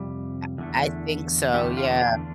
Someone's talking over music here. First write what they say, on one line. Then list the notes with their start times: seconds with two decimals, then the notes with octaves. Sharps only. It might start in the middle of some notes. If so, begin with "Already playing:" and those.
I I think so, yeah.
Already playing: F2 C3 G3
0.58 E2 D3 A3
1.53 E2 D3 A3 G4
1.77 F4
2.01 D4